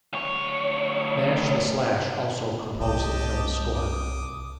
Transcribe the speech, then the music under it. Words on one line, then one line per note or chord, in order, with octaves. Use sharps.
Nash the Slash also composed the film's score.
D2 C#5
C2 G4 D#5 A5
D6 D#6